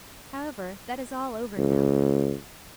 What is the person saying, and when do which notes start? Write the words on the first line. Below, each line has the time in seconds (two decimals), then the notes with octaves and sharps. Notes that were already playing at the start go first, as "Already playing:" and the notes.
However, that is all over now.
1.58 C#2